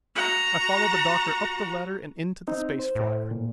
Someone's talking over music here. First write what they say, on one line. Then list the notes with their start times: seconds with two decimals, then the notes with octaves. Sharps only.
I followed the Doctor up the ladder and into the space flier.
0.15 F#4 A#5
2.48 C4 D#4
2.79 C5
2.95 A2
3.31 A#2